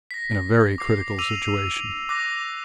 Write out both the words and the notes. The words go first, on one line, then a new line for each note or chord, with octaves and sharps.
In a very critical situation.
A#6 B6
D6 C7
D6 E6 D#7 F7
D6 F#6 A#6